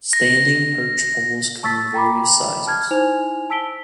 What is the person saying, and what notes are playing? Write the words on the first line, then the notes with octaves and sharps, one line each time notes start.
Standing perch poles come in various sizes.
A#6
A5 C#6 E6 A6 B6
G5 A#5 B5 D6
A5 F6 G#6
D#4 E4 C5 G#5 F7
A5 E6 B6 D7 G7